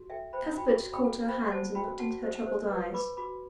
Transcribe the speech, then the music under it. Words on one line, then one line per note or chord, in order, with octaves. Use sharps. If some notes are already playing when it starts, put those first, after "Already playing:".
Cuthbert caught her hands and looked into her troubled eyes.
Already playing: F#4
A4 E5 G5
C5 G5 B5
F#4 G5 B5
F#4
G5 B5
A4
C5 G5 B5
C5 F#5 A5
F#4 G5 B5
F#4 F#5 A5
C5
F#5 A5
C5
B4
B4 B5 D6
F#4 B5 D6